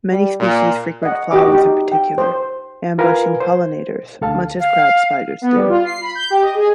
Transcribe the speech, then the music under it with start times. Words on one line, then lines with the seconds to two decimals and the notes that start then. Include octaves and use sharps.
Many species frequent flowers in particular, ambushing pollinators, much as crab spiders do.
0.11 G3
0.39 A#2
1.03 D#5 F#5
1.31 F#4 G4 D#5 B5 D6
1.48 D#4 G4
1.92 G5
2.18 C5
2.98 F4 A#4 B4 F5 G#5
3.40 C5
4.21 D2 A4 F5 A5
4.60 F5
5.42 B3
5.55 G3
5.69 F4
5.85 C7
6.01 B5
6.15 G6
6.30 G4
6.42 D#5
6.55 G#4